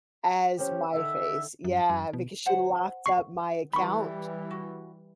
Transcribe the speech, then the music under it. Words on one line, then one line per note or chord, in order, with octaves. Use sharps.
as my face yeah, because she locked up my account,
F3 C#4 G4
D3 D#3 E5
F#2
F#2
B2
C5 F#5 A5
C#6 C7
E3 G3 B5 C#6
F#4